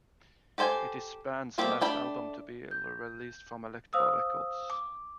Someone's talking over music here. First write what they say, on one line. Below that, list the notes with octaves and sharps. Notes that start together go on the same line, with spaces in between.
It is the band's last album to be released from Elektra Records.
G4 A4 C5 G5 G#5
G3 A3 A#3 C4 G4
A3 D4 G5 B5
G6
C5 F5 D#6 E6
D6